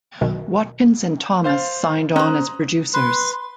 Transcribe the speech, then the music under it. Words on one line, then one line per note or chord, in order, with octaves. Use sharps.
Watkins and Thomas signed on as producers.
B1 B2 D#3
C5 F5 A6
C#4 C5 A#5 D#6 F#6
B4 C6